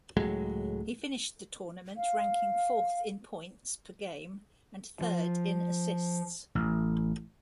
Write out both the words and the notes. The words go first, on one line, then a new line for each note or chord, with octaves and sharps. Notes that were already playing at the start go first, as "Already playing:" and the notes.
He finished the tournament ranking fourth in points per game and third in assists.
C#2 A2 F#3 G#3
F5
F3
A1